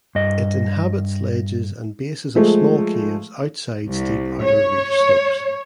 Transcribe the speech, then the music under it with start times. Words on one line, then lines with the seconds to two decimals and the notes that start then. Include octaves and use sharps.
It inhabits ledges and bases of small caves outside steep outer reef slopes.
0.15 G2 D#5
2.36 F3 G#3 A3
3.87 C2
4.43 C#5